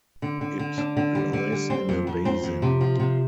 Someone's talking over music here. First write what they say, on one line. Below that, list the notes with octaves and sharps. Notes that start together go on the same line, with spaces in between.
It lies in a basin.
D3
D3
D3
D4
D3
G3
D3
G3
C4
F2
F2
C4
F2
C3
F3
C3